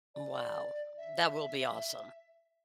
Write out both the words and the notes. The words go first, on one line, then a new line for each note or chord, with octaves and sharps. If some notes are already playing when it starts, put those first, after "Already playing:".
Wow. That will be awesome.
D5
E5